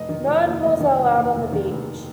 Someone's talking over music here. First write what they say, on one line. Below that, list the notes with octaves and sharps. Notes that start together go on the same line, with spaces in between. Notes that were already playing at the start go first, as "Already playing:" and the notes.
No animals are allowed on the beach.
Already playing: F1 D#5
D#3
F1
D#2
F1 D#5
D#3
F1
D#2
F1
D#3
F1